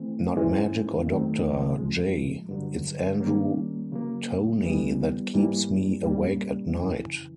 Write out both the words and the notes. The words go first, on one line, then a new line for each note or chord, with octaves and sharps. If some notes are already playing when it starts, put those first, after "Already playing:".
Not Magic or Doctor J, it's Andrew Toney that keeps me awake at night!
Already playing: E3 A3 C4
G#2 E3 G#3 C#4
D#3 F#3 A3 C4
A2 F3 G#3
G2 D3 F#3
D#3 G3 A#3 C#4
C#3 F#3 A#3
E3 G3 B3
G#2 E3 G3 A#3
A#2 G3 A#3 C#4
F2 C#3 E3